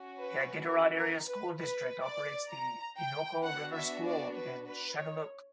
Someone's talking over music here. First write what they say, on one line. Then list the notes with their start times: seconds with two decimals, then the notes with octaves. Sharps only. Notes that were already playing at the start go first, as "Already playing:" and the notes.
The Iditarod Area School District operates the Innoko River School in Shageluk.
Already playing: C#4 F#4
0.19 B4
0.65 A#4
0.96 A#4
1.28 B4
1.59 B4
2.04 D5
2.50 A#5
2.97 G5
3.43 B3 D4 F#4 F#5
3.75 E5
4.05 D5
4.36 B4
4.67 B4
4.98 C#5